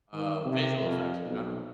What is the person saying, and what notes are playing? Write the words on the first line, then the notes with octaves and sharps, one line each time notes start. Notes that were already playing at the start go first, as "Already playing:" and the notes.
um, visual effects in general.
D#3
C3
F2
B1